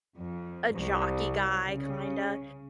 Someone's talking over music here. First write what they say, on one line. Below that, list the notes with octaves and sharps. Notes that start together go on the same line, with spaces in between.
a jockey guy kinda,
F2
C2
C#3